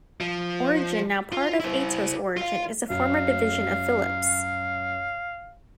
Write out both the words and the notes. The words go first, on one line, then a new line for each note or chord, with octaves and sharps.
Origin, now part of Atos Origin, is a former division of Philips.
F3
F4
E4 C5
F4 F5
F#2 F5